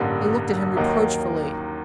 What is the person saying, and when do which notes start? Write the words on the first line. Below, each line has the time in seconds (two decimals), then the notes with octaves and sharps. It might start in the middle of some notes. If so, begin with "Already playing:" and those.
They looked at him reproachfully.
Already playing: A1 G2 D3 G3 A#3
0.76 D#2 D#3 F#3 A#3 D#4